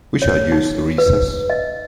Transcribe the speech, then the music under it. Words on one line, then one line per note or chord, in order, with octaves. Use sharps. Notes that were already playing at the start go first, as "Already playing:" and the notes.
We shall use the recess.
C#5
D#4
B4
D#5